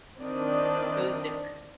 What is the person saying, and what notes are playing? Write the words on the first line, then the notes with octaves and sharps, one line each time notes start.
it was different.
D#3 C4 D4 E4 D5 D#5